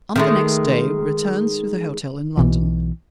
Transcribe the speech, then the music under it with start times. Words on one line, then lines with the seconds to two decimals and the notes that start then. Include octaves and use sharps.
On the next day we returned to the hotel in London.
0.16 D#3 G#3 A3
2.37 B1 B2 E3